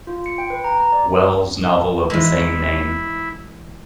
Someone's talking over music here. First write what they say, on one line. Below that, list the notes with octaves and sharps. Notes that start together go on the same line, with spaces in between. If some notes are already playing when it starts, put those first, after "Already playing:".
Wells novel of the same name.
F4
C#7
G5
B4
A#5
A#5
D5
E3 G#3 E4